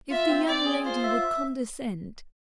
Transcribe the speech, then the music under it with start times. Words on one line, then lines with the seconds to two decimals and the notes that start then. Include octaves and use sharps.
If the young lady would condescent!
0.09 F4 E5
0.28 C4
0.47 C4 D5
0.65 G#4
0.84 F4 C5
1.03 E5